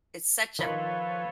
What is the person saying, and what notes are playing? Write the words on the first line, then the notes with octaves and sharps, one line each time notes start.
It's such a
D#3 F3 F4 A4 B4 C#5 B5 C6